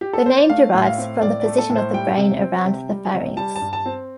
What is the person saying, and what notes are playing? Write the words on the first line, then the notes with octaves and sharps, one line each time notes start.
The name derives from the position of the brain around the pharynx.
G4
A4
C5
D5
A3 F5
A2
F5
C4
A2 D5
D5
A3
A4
A2
C5
G3 G5
C3
C4
C3
G3
C3
G3 A5
A5
G2
A5
C4